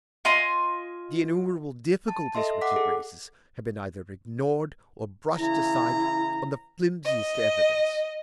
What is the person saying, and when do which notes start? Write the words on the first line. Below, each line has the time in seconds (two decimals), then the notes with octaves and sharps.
The innumerable difficulties which it raises have been either ignored, or brushed aside on the flimsiest evidence.
0.25 F4 D#5 G#5 C6
2.08 A5
2.35 A4 D#5 E5 C6
2.61 F#5 D6 B6
2.76 G#4 A4
5.38 C#3 E3 E4 A#5
7.05 D#5